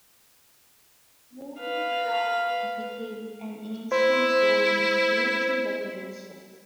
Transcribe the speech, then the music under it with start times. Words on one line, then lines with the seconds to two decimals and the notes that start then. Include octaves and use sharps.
The mural crown became an ancient Roman military decoration.
1.60 B4 F5
3.92 E4 C5